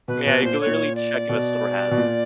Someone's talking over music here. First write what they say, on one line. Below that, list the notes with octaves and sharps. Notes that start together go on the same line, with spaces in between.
Yeah, you can literally check if a store has it.
B2 B4
B2 B4
A#2 C5
C#5
A#2
D5
B2
B2
A#2